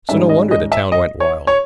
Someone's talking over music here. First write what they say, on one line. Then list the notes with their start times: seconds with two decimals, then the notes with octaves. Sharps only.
So no wonder the town went wild!
0.09 G#2 D#3 G3 C#4 E5
0.29 D#5
0.51 D#5
0.72 E5
0.92 D#5
1.20 C#5
1.47 C#5